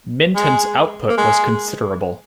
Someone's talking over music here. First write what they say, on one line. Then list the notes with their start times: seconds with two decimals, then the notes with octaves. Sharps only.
Minton's output was considerable.
0.36 G#3
1.09 A#3
1.18 G#3